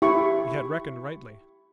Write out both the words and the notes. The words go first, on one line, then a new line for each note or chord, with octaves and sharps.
He had reckoned rightly.
E4 G4 C#6